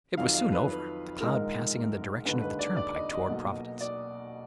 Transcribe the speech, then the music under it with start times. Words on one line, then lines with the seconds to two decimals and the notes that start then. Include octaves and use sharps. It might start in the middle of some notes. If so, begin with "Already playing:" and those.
It was soon over, the cloud passing in the direction of the turnpike toward Providence.
0.17 F2 D#3 F#3 F5
0.35 F5
0.52 B4
0.69 B4
1.21 A#1 G#2 D#3 G#3 A#4
2.25 D#2 D3 G#3 B4
2.41 B4
2.59 D5
2.77 D5
2.94 D#5
3.11 D#5
3.28 B1 B2 A#3
3.81 D5